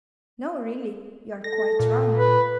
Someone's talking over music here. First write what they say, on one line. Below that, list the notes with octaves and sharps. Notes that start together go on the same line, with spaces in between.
'No; really you are quite wrong.
A4 A#6
A#2
B4